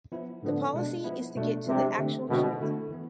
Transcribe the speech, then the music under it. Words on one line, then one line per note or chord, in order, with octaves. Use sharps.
The policy is to get to the actual truth.
F3 B3 E4
A2 D3 F3 B3
B2 G#3 D4
F3 B3 E4
B2 A3 D4
C3 F3 G#3 D4
D3 A3 C4
B2 D3 G#3 C4 E4
D3 A3 E4
E3 B3